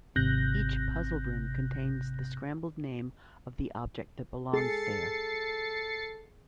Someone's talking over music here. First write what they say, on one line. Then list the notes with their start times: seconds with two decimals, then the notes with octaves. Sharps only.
Each puzzle room contains the scrambled name of the object that belongs there.
0.16 G#1 C3 F#6 G6 A#6
4.53 G#4 A4 A6 C7 C#7